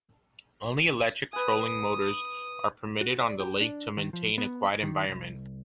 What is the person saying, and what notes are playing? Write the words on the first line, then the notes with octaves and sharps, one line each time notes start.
Only electric trolling motors are permitted on the lake to maintain a quiet environment.
B4 G#5 D#6
F#4
D5
G4
D4
D#3
F3
B3
D#3
C2